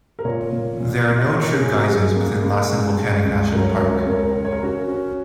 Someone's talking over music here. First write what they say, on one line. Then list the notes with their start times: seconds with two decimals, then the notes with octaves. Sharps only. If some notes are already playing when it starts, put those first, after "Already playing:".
There are no true geysers within Lassen Volcanic National Park.
0.19 A#4
0.25 A#2 C#5
0.53 A#2
0.80 A#2
1.07 A#2
1.18 D#5
1.26 C#5
1.34 C#4 A#4
1.52 G#4
1.61 A#3
1.71 F#4
1.89 F#2 G#4
2.16 A#3
2.43 C#3
2.70 G#3
2.98 G#3
3.25 C#2
3.52 F#3 A#4
3.61 C#5
3.69 A#4
3.78 C#2 C#5
3.85 A#4
3.94 C#5
4.03 A#4
4.07 C#2 C#5
4.19 A#4
4.27 C#5
4.34 C#3 A#4
4.45 C#5
4.53 A#4
4.62 C#4 F#4
4.88 C#4